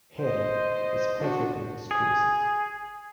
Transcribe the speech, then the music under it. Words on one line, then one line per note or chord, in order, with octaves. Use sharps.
Hettie, it’s perfectly exquisite.
C5 D#5
D4 F#4
G#4